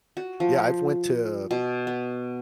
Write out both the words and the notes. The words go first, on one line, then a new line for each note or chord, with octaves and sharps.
Yeah, I've went to
F#4
F3
B2
B3